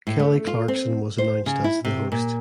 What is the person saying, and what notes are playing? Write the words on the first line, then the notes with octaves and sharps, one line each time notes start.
Kelly Clarkson was announced as the host.
A2
A3
F4
C4
C5
C#3
E4
C3
A#2